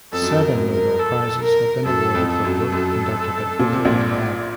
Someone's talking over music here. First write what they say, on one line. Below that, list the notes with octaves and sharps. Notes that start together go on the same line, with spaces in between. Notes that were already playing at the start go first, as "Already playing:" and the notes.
Seven Nobel prizes have been awarded for work conducted at Brookhaven lab.
F2 A4
F#2
F2
A#4
F#2
A#4
A4
A#4
F#2 A4
F2
A4
F#2
F#2
A#2
C3
A#1 A#2